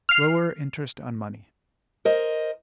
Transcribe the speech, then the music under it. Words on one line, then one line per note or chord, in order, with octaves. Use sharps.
Lower interest on money!
F6 C7
A#4 C5 D#5